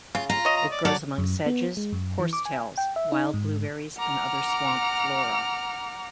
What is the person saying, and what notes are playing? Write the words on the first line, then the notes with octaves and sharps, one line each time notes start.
It grows among sedges, horsetails, wild blueberries, and other swamp flora.
C#3 F4
F4 A#5
C#5 D#5
A#5
D5
F#3 A4 D5
F#2
B3
G#3
F#2
E3
D6
G#5
G5
E5
D#4
G#2
F#5 A#5 D6 F6